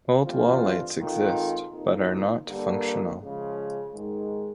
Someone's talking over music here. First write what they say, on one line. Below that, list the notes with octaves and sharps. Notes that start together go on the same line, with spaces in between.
Old wall lights exist but are not functional.
G2 E3 A3 C4 F4
D#3 G#3 C4 F4 A4
F2 C3 F3 A#3 D#4
G2 D3 G3 A#3
C#3 F3 G#3
G#2 D#3 G#3